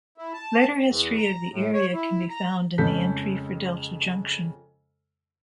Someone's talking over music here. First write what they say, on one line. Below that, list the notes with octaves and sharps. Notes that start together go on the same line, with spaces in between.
Later history of the area can be found in the entry for Delta Junction.
E4
A5
E2
A#5
A2
C#5
E4
A#5
F2 C#3 G#3 A4 G6 B6